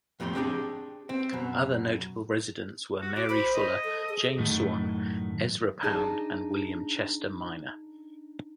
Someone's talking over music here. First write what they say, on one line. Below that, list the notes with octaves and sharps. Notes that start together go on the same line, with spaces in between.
Other notable residents were Mary Fuller, James Swann, Ezra Pound, and William Chester Minor.
F2 A2 G4 B5 C6
C4 D4 G4 G#4
C4
F#2 B2
F#4
F#4 D6
C5 B5
D#5
A4
G#4
F#2 A2 D#3 A3
D4 D#4 G#4 A5